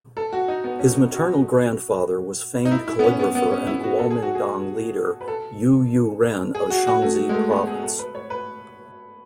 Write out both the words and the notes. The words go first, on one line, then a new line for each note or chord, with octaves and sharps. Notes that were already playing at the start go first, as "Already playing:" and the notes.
His maternal grandfather was famed calligrapher and Kuomingtang leader Yu You-ren of Shaanxi Province.
A4
F#4
D#4
B3
C#4
F#4
D#4
E4
E4
B3
C#4
B3
B3
C#4
E4
F#4
A4
G#4
F#4
G#4
B4
A4
G#4
F#4
F#4
A3
G#3
A3
B3
G#4
A4
B4
C#5
B4